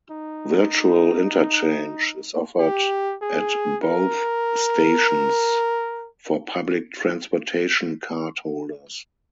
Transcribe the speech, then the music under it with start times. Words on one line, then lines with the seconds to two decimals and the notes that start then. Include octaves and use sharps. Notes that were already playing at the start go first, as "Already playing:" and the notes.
"Virtual interchange" is offered at both stations for Public Transportation Card holders.
0.10 D#4
2.59 G4
3.22 G#4
3.83 A#4